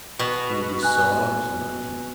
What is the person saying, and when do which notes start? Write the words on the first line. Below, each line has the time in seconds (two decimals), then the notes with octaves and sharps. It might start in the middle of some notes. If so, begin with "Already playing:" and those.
He deserves nothing.
0.19 B2
0.83 G#5 F#6